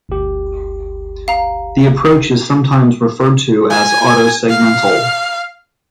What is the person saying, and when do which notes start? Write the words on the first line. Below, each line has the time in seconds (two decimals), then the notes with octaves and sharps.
The approach is sometimes referred to as Autosegmental.
0.09 G1 D2 G4
1.28 F5 A#5
3.70 G#5
4.49 F5